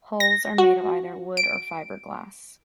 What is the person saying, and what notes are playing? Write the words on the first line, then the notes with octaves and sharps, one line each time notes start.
Hulls are made of either wood or fibreglass.
A#6
F#4
D7